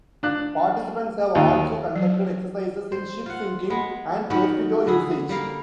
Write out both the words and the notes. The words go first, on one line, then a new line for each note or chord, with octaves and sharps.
Participants have also conducted exercises in ship-sinking and torpedo usage.
D4 F#6
D#2 F4
F#3
C5
F4 F#5
G#3 B3
D#3 B3 C#4 F#4
D3 B3 G#4
G3 A#3 F5